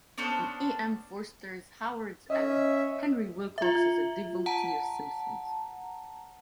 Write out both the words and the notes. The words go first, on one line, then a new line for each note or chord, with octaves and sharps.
In E. M. Forster's "Howards End", Henry Wilcox is a devotee of Simpson's.
B3 C#4 D4 C5
C#4 D#5 E5
F4 E5
F#5 A5 A#5